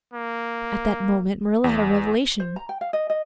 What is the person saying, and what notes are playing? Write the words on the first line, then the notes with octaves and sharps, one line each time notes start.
At that moment Marilla had a revelation.
A#3
E2
C5
A#5
G5
F5
D#5
D#5